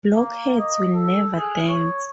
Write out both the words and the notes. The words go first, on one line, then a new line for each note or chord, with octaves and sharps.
Blockheads will never dance!
A#3
D#5
A4
G#4
C#5